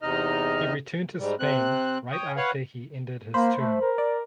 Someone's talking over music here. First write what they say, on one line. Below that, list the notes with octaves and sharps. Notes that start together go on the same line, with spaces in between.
He returned to Spain right after he ended his term.
E2 C3 D#4 D#5 F6
G#2 G3
C3 C4 F#6
C#5 G5 D#6
B4 C#5 F5 F#5
A#3 C5 B5
A3
A#4
D5